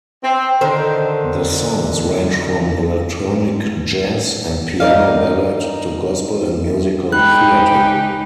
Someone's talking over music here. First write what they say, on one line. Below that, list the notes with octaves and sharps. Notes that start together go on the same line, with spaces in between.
The songs range from electronic jazz and piano ballad to gospel and musical theater.
C4
D3 D#3 C5
D#4 A#4 D5 F5
G#3 D#4 G4 G5 B5 F#6